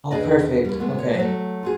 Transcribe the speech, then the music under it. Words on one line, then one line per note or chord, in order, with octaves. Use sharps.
Oh, perfect, okay.
E2 D4 G#4 B4 D5 D#5
D#2 G3
G#3 A3 B3
C#5
F#3 A3
F4 F#4 G#4